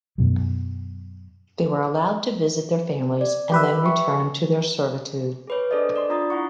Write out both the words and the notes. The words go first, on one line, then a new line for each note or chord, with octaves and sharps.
They were allowed to visit their families and then return to their servitude.
F#2 B2 F#3
D5
G4 B4 E5
C#6
G#4 B4 C#5
D4 G#4 A4 C5 D5 D#5
D5 C6
D4 F4 A#5 C6 D#6 A6
E4 F#5 C#6